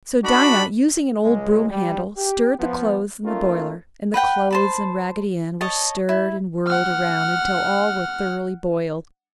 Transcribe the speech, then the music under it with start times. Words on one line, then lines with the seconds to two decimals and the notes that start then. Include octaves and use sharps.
So Dinah, using an old broom handle, stirred the clothes in the boiler and the clothes and Raggedy Ann were stirred and whirled around until all were thoroughly boiled.
0.24 D4 D#4 F#4 A4 B5
1.23 C#2 G#3
1.69 G3
2.17 G4
2.59 F3 B3
3.24 A3 A#3 C#4 D#4 F4 A#4
4.14 B4 F#5 G5
4.51 C5 A5 B5
5.61 C#5 D#5 A5
6.09 E4
6.67 F#5 F6